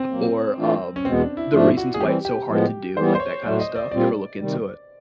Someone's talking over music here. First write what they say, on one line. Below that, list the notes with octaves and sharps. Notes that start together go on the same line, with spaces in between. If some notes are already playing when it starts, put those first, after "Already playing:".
or um, the reasons why it's so hard to do, like, that kinda stuff? You ever look into it?
Already playing: C4
B2 F#3 A#3
E3 A3 D4 F4
C#4
E2 B2 G#3 B3 C4
D4
E4
G#2 F3 A3 D4 F4
F#4
G#4
E3 G3 C4 G4
G4
A2 F3 G#3 B3
E3 G3 B3 C5
C5
C#5
A2 F#3 A3 D5
D#5
D5
A#2 G3 C4 F4 D5
C3 D#3 G3